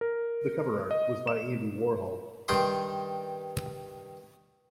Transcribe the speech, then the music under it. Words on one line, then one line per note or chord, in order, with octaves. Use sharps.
The cover art was by Andy Warhol.
A#4
D#5
E7
G2 D#3 G5 C6 D#6